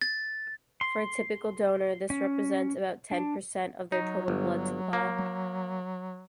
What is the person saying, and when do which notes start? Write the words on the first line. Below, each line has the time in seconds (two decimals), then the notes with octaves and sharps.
For a typical donor this represents about ten percent of their total blood supply.
0.02 A6
0.81 C6
2.10 C#4
3.11 D4
3.92 F#3 D#4
4.28 G1
4.93 A#3